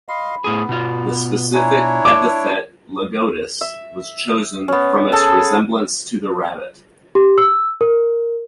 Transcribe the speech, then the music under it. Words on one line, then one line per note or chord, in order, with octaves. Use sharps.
The specific epithet "lagotis" was chosen "from its resemblance to the Rabbit".
D#5 F5 B5 C6
A2 B3 G#4
B2 F4
D4 E4 C#5 G#5 A#5
A5 D6
E5
B3 C#4
G#4 A4 A5
G4
E6
A#4